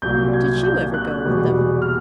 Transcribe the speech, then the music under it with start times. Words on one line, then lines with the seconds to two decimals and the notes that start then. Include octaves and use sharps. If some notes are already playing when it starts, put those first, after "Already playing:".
Did you ever go with them?'
0.02 C2 A#2 F#3 G6
0.33 G#6
0.63 G6
0.94 F#6
1.25 E2 B2 G3
1.82 F6